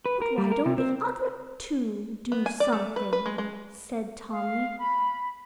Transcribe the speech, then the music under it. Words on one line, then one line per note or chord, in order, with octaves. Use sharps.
"But why don't the other two do something?" said Tommy.
B4
A#4
G3
A#4
C3
C4
B3
G#5
D5
A3
B4
B4
G#3
G#3
F5
B5